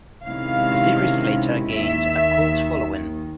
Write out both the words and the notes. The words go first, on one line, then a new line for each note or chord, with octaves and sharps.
The series later gained a cult following.
C3 D#3 G#3 C#4 E4 F5
D#2 D#3 E5